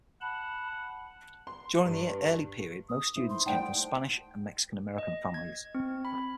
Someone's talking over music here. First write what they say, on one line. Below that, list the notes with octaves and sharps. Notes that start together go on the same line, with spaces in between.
During the early period most students came from Spanish and Mexican American families.
F#5 A5 B5
C6
G2
D#6
D#4 E4 C5
C6
G3 A3 D#4 C5 D5 F#5 G5 A5
D#5
G#6
C4
B5